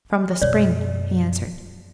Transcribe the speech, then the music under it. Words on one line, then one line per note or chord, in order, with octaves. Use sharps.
"From the spring," he answered.
F#2 B2 C#5 D5